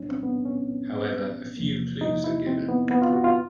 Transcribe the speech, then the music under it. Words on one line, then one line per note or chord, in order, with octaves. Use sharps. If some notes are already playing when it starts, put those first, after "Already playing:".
However, a few clues are given.
Already playing: C2 A#2 F#3 C#4 D4
C4
B3
C#4
E2 C3 F3 A#3
D#4
E4
C4
B3
B3
F4
F#4
F4